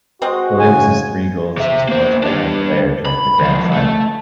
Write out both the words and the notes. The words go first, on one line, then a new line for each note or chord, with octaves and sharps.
Williams' three goals was the most by any player during the Grand Final.
G#3 C4 F#4 D#5
C#3 G#5
C3 E5
A#3 C5
D4 G4
B5
D#3 F3
A3